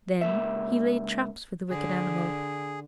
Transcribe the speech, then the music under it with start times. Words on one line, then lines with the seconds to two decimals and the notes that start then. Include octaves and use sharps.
Then he laid traps for the wicked animal.
0.21 C#2 A#3 E5
1.70 D3 G#4